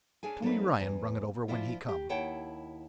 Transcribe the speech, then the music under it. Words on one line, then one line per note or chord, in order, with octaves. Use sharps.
Tommy Ryan brung it over when he come.
C#4 D4 G#4 G#5
F#3 A3 A#3 C4 D#4 B4
E2
F3 D4 E4 F4
G4
D#2 E4 C#5 F#5 G5 A5